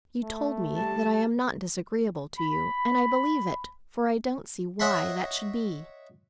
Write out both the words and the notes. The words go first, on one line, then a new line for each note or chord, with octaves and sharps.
You told me that I'm not disagreeable to you, and I believe it; for I don't see why that should be.
A3
G3 A5
B5
C#5 D#5 E5 F#5 B5 C6